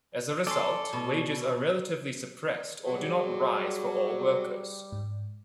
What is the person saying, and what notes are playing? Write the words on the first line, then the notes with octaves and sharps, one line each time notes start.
As a result, wages are relatively suppressed or do not rise for all workers.
C#4 A4 D5 C6
B2
F#3 G3 G#4
G#2